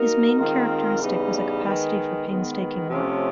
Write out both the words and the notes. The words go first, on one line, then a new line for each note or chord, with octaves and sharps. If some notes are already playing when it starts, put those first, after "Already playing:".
His main characteristic was a capacity for painstaking work.
Already playing: A#3 D#4 F#4 A#4
D#3 G#3 C4 F4 A#4
C#3 E3 G3 B3 D#4
D#3 G#3 B3
D#3 G#3 B3
C3 F3 A3 C#4